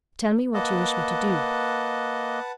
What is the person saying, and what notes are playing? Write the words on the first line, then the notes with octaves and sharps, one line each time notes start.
Tell me what you wish me to do.
A#3 B4 D#5 F#5 A5